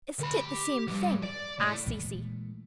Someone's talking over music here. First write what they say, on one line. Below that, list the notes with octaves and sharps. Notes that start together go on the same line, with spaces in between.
"Isn't it the same thing?" asked Cecy.
D2 B5
G4
E2 G2
D5
A2 A3
A#2 E3 G#3 A3